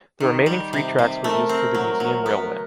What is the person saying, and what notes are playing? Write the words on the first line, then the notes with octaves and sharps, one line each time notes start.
The remaining three tracks were used for the museum railway.
D#3 G4
G3
C3 G4
C3
A3 A#4
C4
F#3
F#3
B3